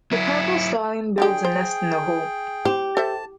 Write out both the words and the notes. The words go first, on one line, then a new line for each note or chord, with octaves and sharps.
The purple starling builds a nest in a hole.
F#3 E4
D3 F#3 G4 G#4 G5
C5
G4 C5
A4 C5 E5 A5